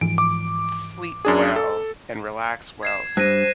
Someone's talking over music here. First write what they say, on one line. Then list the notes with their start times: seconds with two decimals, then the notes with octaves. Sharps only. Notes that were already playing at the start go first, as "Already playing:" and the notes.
sleep well and relax well
0.01 G#2 E3 F3 D7
0.18 D6
1.25 F#2 D4 G#4
1.56 A4
2.83 G#6 C7 E7
3.17 G2 C5 F#6 A#6 D#7